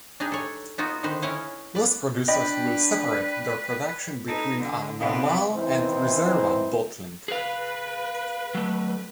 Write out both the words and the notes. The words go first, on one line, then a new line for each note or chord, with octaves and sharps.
Most producers will separate their production between a "normale" and "riserva" bottling.
D4 D#4 G4 G#4 B4
A4 C#5 G#5
B3 D#4 F4 F#4
D3 D#3 D#4 B4 C5
C#4 E4 B4 C#5 D#5 F5
B4 D5
D4 B4 D5 D#5 G5 B5
D#4 A4 B4
D3
C3 B3 D#4 G#4 F5
D#2 E3 C4 D#4 E4 C5
G#4 B4 F5
F#3 A3